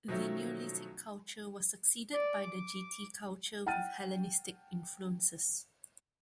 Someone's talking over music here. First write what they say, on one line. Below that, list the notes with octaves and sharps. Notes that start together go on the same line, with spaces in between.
The neolithic culture was succeeded by the Getae culture with Hellenistic influences.
B2 D#3 F3 F#3 A3 C#4
D5
D6
F#5 G5 A5 F6 A6 D#7